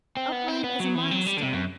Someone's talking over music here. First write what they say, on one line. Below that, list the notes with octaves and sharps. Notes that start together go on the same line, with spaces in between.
Upright as a milestone.
C4
B3
C4
B3
F#3
E3
F#3
G3
D3
C3
F#2